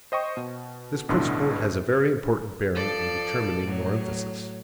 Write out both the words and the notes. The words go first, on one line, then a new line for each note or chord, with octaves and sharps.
This principle has a very important bearing in determining your emphasis.
C5 D#5 G5 C#6
B2
A1 G2 B2 D3 E4 C6
F3 A4 D5
A2 F#3